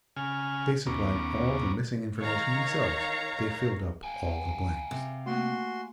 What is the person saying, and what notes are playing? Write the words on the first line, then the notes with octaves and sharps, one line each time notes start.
They supplied all the missing information themselves, they filled up all the blanks.
C#3 G#5 F6
D#2 B3 C#4 A#5 D6
D#3 C#5 F5 A#5
F5 G5 G#5
C3
A3 A#3 F#4 C6